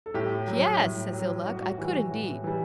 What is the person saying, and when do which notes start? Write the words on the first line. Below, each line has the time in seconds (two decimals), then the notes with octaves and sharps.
"Yes," says Ill-Luck, "I could indeed."
0.06 A4
0.14 A2 G4
0.47 F#3
0.80 A2
1.12 F#3
1.45 A2 F#4
1.63 F#4
1.78 E3 G3
2.11 A2
2.44 E3 G3